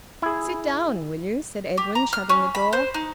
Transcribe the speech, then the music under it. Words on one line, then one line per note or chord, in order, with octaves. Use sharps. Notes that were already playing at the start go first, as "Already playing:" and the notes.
"Sit down, will you?" said Edwin, shutting the door.
E4 G#4
G4
A#5
F6
C#4
B5
C5
D#4